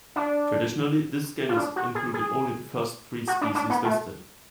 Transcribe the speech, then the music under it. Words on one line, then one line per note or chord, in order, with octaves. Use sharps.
Traditionally this genus included only the first three species listed.
D4
F4
D4
F#4
G#4
G#4
F#4
D4
D4
B3
A3